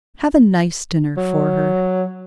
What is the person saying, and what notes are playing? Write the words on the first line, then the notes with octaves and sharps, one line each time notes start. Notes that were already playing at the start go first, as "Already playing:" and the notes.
Have a nice dinner for her.
F#3